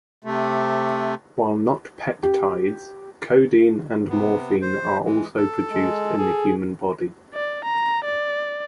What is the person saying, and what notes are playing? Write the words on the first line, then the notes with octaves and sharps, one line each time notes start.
While not peptides, codeine and morphine are also produced in the human body.
C3 A3
G4
C3 B3
C5
E3 G#3
A4
G#3
G#4
D5
A#5
D5